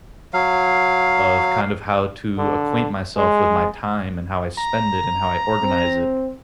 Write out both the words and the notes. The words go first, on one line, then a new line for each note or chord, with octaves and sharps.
of kind of how to acquaint myself with my time and how I spend it and how I organize it.
F#3 F5
D3
G#3
A#5
C4